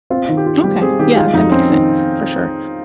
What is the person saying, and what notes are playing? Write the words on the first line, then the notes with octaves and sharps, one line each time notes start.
Okay. Yeah, that makes sense, for sure.
C4 F4
D#3
G4
F4
G3 G4
C4 G#4
D#3 G4
G#3 F4
F2 D#4
C4 C#4
D#3